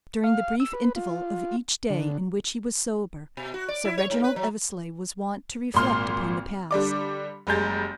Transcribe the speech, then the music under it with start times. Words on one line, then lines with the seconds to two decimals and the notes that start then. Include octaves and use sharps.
During the brief interval of each day in which he was sober, Sir Reginald Eversleigh was wont to reflect upon the past.
0.24 F5
0.60 E6
0.73 B4
0.96 F4
1.90 D3
3.37 B2
3.54 F#4
3.68 D5
3.85 E4
3.98 C#5
4.11 G#2
4.24 B4
4.36 F#3
5.74 G#1 A#2 C6 F6
6.71 D3 G3 D5 D6
7.47 F#1 G3 G#3 A#5 G6 A6